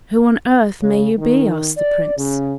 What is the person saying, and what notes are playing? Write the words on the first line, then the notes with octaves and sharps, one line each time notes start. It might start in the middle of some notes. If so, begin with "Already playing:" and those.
"Who on earth may you be?" asked the Prince.
C#3
D#3
D5
C#3